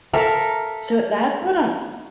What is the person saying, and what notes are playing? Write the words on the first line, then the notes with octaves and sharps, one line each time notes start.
So that's what I'm
A4 A#4 E5 F5